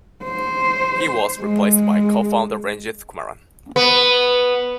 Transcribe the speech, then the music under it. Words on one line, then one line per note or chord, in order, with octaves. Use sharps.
He was replaced by co-founder Ranjith Kumaran.
C5
G#3
B3